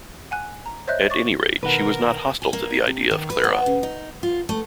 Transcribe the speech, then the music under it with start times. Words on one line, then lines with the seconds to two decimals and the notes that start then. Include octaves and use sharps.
At any rate, she was not hostile to the idea of Clara.
0.31 F#5 G#5 F#6
0.66 A#5
0.87 C5 C#5 D#5 E5 F#6 G6
1.10 C#6 D6 A6
1.63 B2 D#3 A#4 B4 F#5
2.42 G#5
2.53 A#3
2.86 C3
3.11 D#3
3.30 B4
3.44 B3
3.66 C#3
3.83 D#4
4.23 F4
4.49 A3